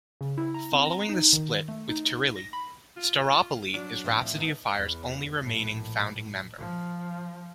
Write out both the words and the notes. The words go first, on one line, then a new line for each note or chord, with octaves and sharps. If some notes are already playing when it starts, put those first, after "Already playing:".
Following the split with Turilli, Staropoli is Rhapsody of Fire's only remaining founding member.
C#3
E4
A#5
C4
A#5
D#4
D#3
A3
D#4
A#6
B5
F4
F#3 D4
A2 F3 C4
B3 D#4 A4
E2
A#1 A2
F3